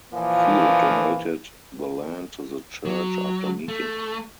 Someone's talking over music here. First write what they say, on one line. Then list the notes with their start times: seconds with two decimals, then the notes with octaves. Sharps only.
Field donated the land to the church after meeting her.
0.11 A#2 E3 F3 A#3
2.85 F#3
3.68 A3